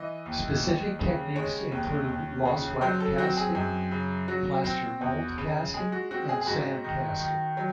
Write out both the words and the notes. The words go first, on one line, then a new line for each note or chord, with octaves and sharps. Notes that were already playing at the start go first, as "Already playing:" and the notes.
Specific techniques include lost-wax casting, plaster mold casting and sand casting.
Already playing: E3 D#5
D#2
D#2
C#3
G#3 C#5
D#2
D#2
C#3
F#3 C5
A4
C4 F#4
G#4
F#2 G#4
C#3
F#3 F#4
C4
E2
C#3
G#3 G#4
F#4
C4 F#4
G#4
G#4
G#2 F#4
D#3
D#3
F#3